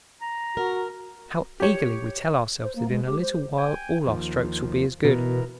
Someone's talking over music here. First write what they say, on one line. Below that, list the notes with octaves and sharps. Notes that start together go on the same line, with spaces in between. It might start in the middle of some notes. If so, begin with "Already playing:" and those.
How eagerly we tell ourselves that in a little while all our strokes will be as good.
A#5
F#4 A#4
G4 C#5
C5
A#3
G#3
G4
C5
G5 G#5
D#2 F3
B2 E3 A#4